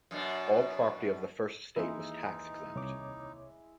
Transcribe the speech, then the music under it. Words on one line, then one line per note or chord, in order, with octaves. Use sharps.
All property of the First Estate was tax exempt.
F#2 B2 D4
D#2 E3 G#3 D#4 E4
C2 C#5 D6